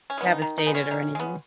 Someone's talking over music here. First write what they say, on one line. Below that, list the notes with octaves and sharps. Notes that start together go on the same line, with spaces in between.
Devastated or anything.
C#4
G#3 B3
D#4
D#3
D#4
G#3 B3
C#4
D#3
G#3 B3